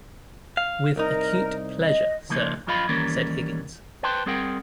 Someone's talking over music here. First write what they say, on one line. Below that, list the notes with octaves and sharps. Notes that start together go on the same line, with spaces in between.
"With acute pleasure, sir," said Higgins.
F5
C2 D#4 A#4
D#5
C#3 F3 A#3 D#4
F#2 F3 F4 D#5 F5 B5
D#3 E3 G3 A#3 C#4 A#4
B4 C5 G5 A5 C6
G3 C4 G#4 A#4 F#5 G5